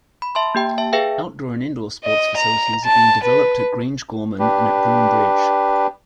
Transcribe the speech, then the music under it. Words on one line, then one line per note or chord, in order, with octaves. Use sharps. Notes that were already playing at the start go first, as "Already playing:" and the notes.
Outdoor and indoor sports facilities are being developed at Grangegorman and at Broom Bridge.
B5
E5 A5 C6
A#3 G4 G5
E5 A5
G#4 B4 E5 F5 G5
D#5
A#5
A5
B4
D4 G4 B4